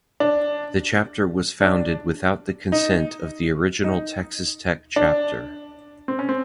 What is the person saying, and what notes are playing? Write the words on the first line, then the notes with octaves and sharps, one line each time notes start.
The chapter was founded without the consent of the original Texas Tech Chapter.
D4
D4
D#4
D#4
D4
C4
C#4
C4